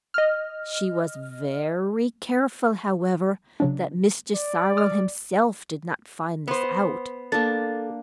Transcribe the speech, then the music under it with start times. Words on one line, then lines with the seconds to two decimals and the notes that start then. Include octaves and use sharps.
She was very careful, however, that Mr. Cyril himself did not find this out.
0.14 D#5 F6
3.60 C#3 F#3 D4
4.35 D5
4.77 D#6 F6
6.48 B3 C5
7.32 A#3 D4 A4 A6